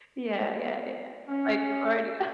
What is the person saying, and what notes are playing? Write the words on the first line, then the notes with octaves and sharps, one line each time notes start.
Yeah, yeah, yeah, yeah, like, already up.
C#4